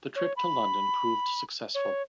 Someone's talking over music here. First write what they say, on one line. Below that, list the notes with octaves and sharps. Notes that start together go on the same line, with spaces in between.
The trip to London proved successful.
C#5
B5
C#5